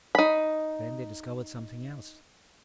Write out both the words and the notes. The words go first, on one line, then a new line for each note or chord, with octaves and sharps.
Then they discovered something else.
D#4 B5